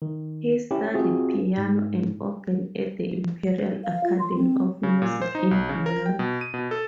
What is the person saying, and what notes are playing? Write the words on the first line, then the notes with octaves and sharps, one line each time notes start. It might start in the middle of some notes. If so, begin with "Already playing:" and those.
He studied piano and organ at the Imperial Academy of Music in Vienna.
D#3
C#4 E4 G4
C4 F4 F#4 G#4
G#2
F5
F4
C6
C4
C#3
A#2
C5
D#4
B1
C#3
A#4
G5
B2
D#7
B2
A4